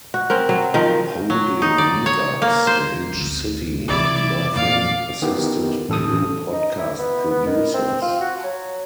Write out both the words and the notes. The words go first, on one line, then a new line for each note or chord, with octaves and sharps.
Holding "meetups" in each city, Maffin assisted new podcast producers.
F#4
C4 C#4 A#4
F#3
D#3 F3 A#4
F#3
D#4
D5
C#5
A#3
C5
G#1 D2
C3 E3 E4 D5
E2 A#2 D5 F5
D#3 B3 E4 G4
A1 A4 D#6
D#4
E4
B3
B3
D#3
C4
F4
F#4
F#3